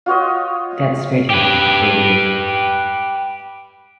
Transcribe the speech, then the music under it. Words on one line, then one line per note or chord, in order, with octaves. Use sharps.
That's Betty for you.
F4 F#4 C#5 D#5
G4 B4